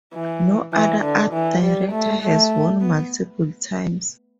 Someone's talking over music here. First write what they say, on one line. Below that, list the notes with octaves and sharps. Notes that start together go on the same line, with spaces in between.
No other art director has won multiple times.
E3
E3
D3
E3
G3
A3
A3
B3